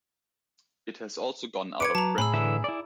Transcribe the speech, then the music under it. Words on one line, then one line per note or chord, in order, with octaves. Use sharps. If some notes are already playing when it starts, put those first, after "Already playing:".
It has also gone out of print.
B4 D6 G#6 C#7 D7
F#3 A5 A#5
A2 G#4 B5 E6
D3 E3 E5
E4 D5